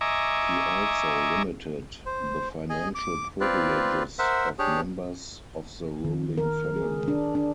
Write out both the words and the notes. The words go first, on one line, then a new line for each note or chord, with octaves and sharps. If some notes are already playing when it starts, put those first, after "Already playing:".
He also limited the financial privileges of members of the ruling family.
D#5 E5 G#5 A#5 C#6 D6
C5
G#4 D#5 G#5
D6
C4 F4 B4 D5
A#4 C5 E5 F#5
D4 G4 G#4 C#5
D#3
A#4
G#4
D4
D4